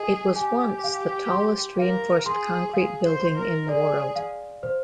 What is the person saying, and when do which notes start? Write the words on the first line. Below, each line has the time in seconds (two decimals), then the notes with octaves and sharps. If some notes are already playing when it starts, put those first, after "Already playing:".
It was once the tallest reinforced concrete building in the world.
Already playing: G#4 D#5
0.36 G4 G#5
0.84 F5
1.31 C6
1.79 A#4 F5
2.26 G#4 C6
2.73 G#4 F5
3.06 C5
3.21 C6
3.37 A#4
3.68 G#4 D5
4.16 F5
4.63 C5